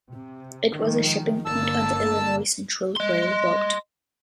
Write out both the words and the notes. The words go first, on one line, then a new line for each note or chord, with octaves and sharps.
It was a shipping point on the Illinois Central Railroad.
C3
D#3 F3 G#3
G1 D3 A#3 A5 E6
D#5 C6